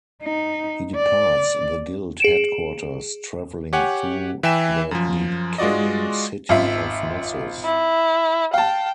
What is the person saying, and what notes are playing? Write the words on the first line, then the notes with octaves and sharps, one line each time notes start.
He departs the guild headquarters, traveling through the decaying city of Nessus.
D#4
D5
G#4 D7 E7
G4 C#5 F#5 G#5
E3 E5 G5 G#5 E7
F#2 F3
G#3 F4 F#4 D5 D#5
G#1 F4 E5
E4
F5 G5 A5